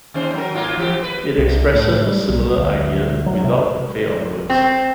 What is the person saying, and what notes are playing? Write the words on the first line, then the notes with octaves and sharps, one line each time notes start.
It expresses a similar idea without the play on words.
D#2 C#4 C5
F#3 A#4
G#2 A#3 F4
E3 F3 G4
B4
C2
A2
G3
B1
D2
F#3
C3
C4